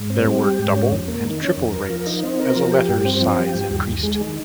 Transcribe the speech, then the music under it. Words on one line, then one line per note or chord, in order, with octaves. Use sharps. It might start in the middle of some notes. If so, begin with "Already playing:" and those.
There were "double" and "triple" rates as a letter's size increased.
Already playing: G#2
C4
G3
G4
G#2
C#4
F2
A#3
D#3
C#4
F2
A#4
F3
D#4
C4
A#4
F3
G4
G2
C4
F3
G4
G2
D#2
D#2
G#3
D#3